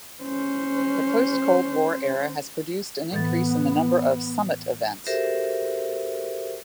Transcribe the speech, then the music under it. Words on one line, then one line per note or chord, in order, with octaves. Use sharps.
The post-Cold War era has produced an increase in the number of "summit" events.
C#4 C5
A2 E3 B3 A6
F#4 G4 A4 A#4 C5 E5